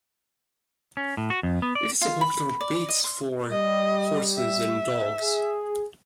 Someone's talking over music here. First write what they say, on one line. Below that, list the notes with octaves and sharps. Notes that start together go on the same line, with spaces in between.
It is a popular beach for horses and dogs.
C#4
A2
F#4
F2
B3
D5
F4
B5
D5
D#5
C6
G3 D#5
E5
G#4